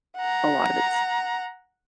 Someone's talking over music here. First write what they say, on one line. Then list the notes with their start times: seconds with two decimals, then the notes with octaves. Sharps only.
a lot of it's,
0.17 F#5 A#5